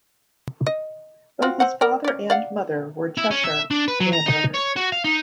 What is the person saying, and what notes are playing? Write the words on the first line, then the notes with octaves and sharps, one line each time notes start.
Both his father and mother were Cheshire landowners.
D#5
C4 F4 F#4
C4 C5 F#5
A#4 D5
C#4 D5
D5 F5 F#5
E4
C#4
E5
D4
B4
F#3
A#5
D#4
C#5
F#4
F5
D#4